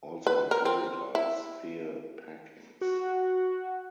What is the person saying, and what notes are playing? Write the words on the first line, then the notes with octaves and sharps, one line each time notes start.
Also included are sphere packings.
B4
A#4
C4
E4
F#4